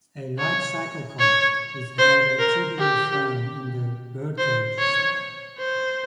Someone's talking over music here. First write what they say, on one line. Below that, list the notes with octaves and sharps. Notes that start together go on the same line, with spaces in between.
A light cyclecar, it had a tubular frame in the "birdcage" style.
C#5
C#5
C5
A#4
G4
C5
C#5
C5